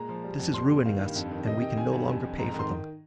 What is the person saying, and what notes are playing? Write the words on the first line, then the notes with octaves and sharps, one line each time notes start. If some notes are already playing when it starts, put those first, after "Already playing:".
This is ruining us, and we can no longer pay for them.
Already playing: A#2 G#3 A#5
F3
G3
F2
G3 C6
A#2
D#3 F5
G2
F2
D#3
C3 D#5
C3 G5
D#3 G#5
G2
F2
F2
G#2 A#5
A#5
D#3 C6